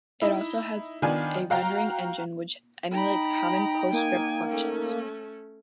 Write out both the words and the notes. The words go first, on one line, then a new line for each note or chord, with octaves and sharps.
It also has a rendering engine which emulates common PostScript functions.
D#4 E4
D#3 B3 D4 F4 G#5
F#4 F5 G5 A#5
D#4 G5 A#5 B5
A#3 G#5
A3 C#4